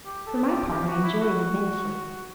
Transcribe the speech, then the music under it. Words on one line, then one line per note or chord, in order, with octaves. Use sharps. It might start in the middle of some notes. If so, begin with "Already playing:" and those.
For my part, I enjoy it immensely.
G4
A4
G4
G4
F#4
E4
F#4
F#4